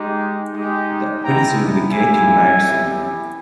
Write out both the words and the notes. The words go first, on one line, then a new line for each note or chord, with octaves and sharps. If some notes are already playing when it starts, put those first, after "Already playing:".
The prince will be getting married soon.
Already playing: G#3 D#4 G4
G#3 D#4 G4
G#3 B3 E4 G5 A#5
A#3 E4 G4 E5 G#5
B3 E4 G4